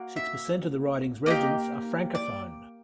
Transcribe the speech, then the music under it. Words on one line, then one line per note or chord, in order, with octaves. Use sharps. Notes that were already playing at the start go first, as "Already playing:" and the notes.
Six per cent of the riding's residents are francophone.
Already playing: A#3 F#4
E5
A#3 D#4 G4 D#5
D5